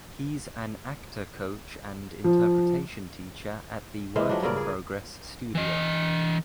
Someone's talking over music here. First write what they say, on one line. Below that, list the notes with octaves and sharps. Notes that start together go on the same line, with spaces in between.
He’s an actor coach and an interpretation teacher at the Work in Progress studio.
F3
E3 G#3 C5 F5
F3 F#3 D4
G2 C#3 A#4 D5
G#4
E3 D#5